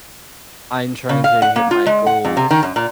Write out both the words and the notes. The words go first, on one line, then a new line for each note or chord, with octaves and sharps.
I'm trying to hit my goals,
C#3
F5
F#5
A#3
F4
G#3
F#5
F2
C3
D#3
F#2
A#2